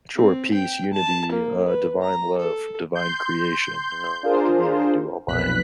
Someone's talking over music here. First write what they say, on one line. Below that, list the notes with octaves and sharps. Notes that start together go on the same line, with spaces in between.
Sure, peace, unity, uh, divine love, divine creation. "Oh, look at me, I do all my
C4
G5
A5
A#3
B4
A#5
A4
C6 G6
D4 F4 G#4 A#4 C5
B1 F2 A#2 B4 F#6 B6